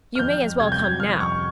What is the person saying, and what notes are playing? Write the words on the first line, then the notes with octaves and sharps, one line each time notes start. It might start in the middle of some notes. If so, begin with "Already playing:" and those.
You may as well come now.
F6
F2 G6
C3 G3 G#6
G6
G#6
F2 F6
C#6